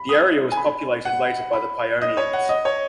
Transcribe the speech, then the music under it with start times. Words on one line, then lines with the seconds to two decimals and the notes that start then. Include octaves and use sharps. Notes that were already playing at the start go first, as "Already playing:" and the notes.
The area was populated later by the Paionians.
Already playing: B5
0.09 D#6
0.52 G#5
0.57 B5
1.05 F#5
1.53 B5
2.02 D#5
2.17 C#5
2.34 F#5
2.49 D#5
2.65 C#5